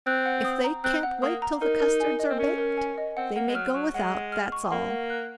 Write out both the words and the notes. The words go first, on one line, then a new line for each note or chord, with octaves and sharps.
If they can't wait till the custards are baked, they may go without--that's all.
C4 F#6
F#5
D#6
A#5
C4 F#6
F#5
A#3 D#6
A#5
D#4 A#4
A#4
G#5
D#5
C4
C#4 A#4
A#4
G#5
D#5
C4 F#5
A#3 F#5
G#3
F#3 F6
F#3 C#6
G#3 F#5
F#5
F6
C#6
A#3 F#5
F#5
F#6